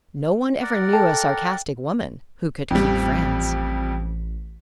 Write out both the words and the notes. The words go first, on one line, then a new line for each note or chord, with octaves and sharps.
'No one ever knew a sarcastic woman who could keep friends.
A#4 D5 F#5
A4 G5 A5
A1 F2 G3